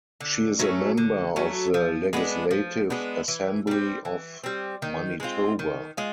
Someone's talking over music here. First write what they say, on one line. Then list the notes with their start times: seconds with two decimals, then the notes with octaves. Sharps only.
She is a member of the Legislative Assembly of Manitoba.
0.21 D3
0.59 F#3 A3 C#4
0.97 D3
1.36 F#3 A3 C#4
1.74 F3
2.13 G#3 B3 D4
2.51 F3
2.90 G#3 B3 D4
3.28 E3
3.67 G3 C4
4.05 E3
4.44 G3 C4
4.82 D#3
5.20 G#3 C4 F4
5.59 D#3
5.97 G#3 F4